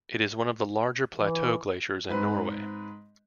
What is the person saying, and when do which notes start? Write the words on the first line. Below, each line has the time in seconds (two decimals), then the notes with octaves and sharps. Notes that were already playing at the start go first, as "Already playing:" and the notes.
It is one of the larger plateau glaciers in Norway.
1.15 E3
2.09 G#2 C4 B4